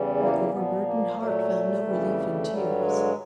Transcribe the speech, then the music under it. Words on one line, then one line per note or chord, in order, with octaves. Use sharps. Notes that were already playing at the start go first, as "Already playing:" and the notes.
Her overburdened heart found no relief in tears.
Already playing: E2 C#3 E3 G3
A#3
A#2 F3 B3
A#3
A#2 F#3 A3
F2 C#3 E3 G3
G2 D3 F#3 G3
G#3